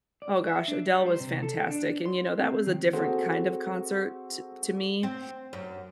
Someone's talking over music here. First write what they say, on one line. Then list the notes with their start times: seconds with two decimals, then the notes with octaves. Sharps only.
oh gosh, Adele was fantastic, and you know, that was a different kind of concert to to me.
0.22 D5
0.47 E5
0.68 D4
0.87 G3
1.06 C5
1.20 C3
1.43 A4
1.70 D4
2.06 C6
2.38 C4
2.66 D#3
2.93 C4 F#4 G#4 A4 C5
5.03 C4
5.53 F#2